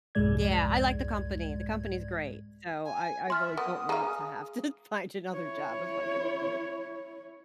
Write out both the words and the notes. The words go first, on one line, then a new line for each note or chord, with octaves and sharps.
Yeah. I like the company, the company is great, so I I really don't want to have to find another job if I can avoid
C2 F2 G#2 G#3 D5 G#6
G#5
E5 C6 F6 A6
B3 D#6
G#3 G#4 F5 A#5
E4 C#5